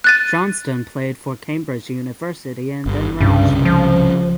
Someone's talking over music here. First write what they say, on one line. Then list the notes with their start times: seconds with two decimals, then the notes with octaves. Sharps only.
Johnston played for Cambridge University and then Richmond.
0.04 F#6 A6 D#7
2.86 G1
3.21 C2 G2 C#3
3.65 F3